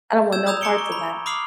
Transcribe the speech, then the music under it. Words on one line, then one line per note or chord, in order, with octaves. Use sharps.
I don't want no parts of that.
E6 G6 G#6 E7
A#5 D#6 E6 G6 G#6 F7
A#5 D6 C#7 D7 G7
C#6
B5
B5 D6 D#6 F6 C7 F#7